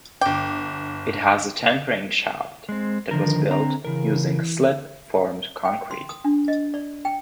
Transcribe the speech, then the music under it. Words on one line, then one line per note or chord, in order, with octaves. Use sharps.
It has a tapering shaft that was built using slip-formed concrete.
G1 G5 D6
G#3 C4
D3 D#3 F3 A#4
C4 A#5
C#3 E3 A#4
G5
C6
D#6
D4
D#5
D5
G5